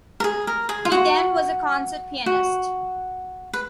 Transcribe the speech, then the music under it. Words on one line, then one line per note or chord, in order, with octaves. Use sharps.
He then was a concert pianist.
A#4
G#4
A#4
G#4
F4
F#4
F#4
B4